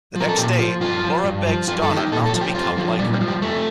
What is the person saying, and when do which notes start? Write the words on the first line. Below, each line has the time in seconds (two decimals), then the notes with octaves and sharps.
The next day, Laura begs Donna not to become like her.
0.15 F3
0.21 A#4
0.29 A4
0.37 A#2 G4
0.59 F3 F4
0.81 G2 F4
1.02 F3
1.24 G2
1.47 F3
1.68 G2 F4
1.82 A4
1.90 D#3
1.97 G4
2.12 A#2 A4
2.26 A4
2.33 F3
2.41 G4
2.55 F2 F4
2.77 D3 F3
2.99 A#2 G3
3.13 G3
3.21 F3
3.28 G3
3.42 F2 A3